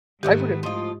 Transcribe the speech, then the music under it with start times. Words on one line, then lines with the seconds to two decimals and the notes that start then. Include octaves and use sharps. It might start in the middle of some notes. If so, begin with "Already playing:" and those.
I would've
0.23 G#2 D#3 G3 A3 B3 G4
0.63 A2 F3 F4 D#5